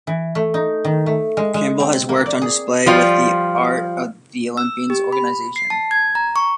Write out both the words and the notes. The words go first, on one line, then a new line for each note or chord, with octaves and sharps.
Campbell has works on display with the Art of the Olympians organization.
E3
A3
D#4
D#3
A3
G#3
G#3
C4
A#3
D5
G#4
F3 G3 F4
E6
G4
B5
C7
A5
G#6
A#5
C#6